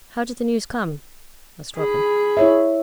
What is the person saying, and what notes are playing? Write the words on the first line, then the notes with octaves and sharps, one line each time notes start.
"How did the news come?" asked Robin.
G#4 B5
E4 C#5 E5